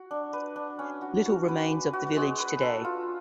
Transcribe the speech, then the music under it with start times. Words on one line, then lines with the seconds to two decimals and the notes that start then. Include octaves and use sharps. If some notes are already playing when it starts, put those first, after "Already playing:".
Little remains of the village today.
Already playing: F#4
0.11 D4
0.33 B4
0.56 D4
0.79 C#4
1.02 F#4
1.26 F#4
1.48 B4
1.71 B4
1.93 F#4
2.17 G#3
2.40 B4
2.63 A4
2.85 F4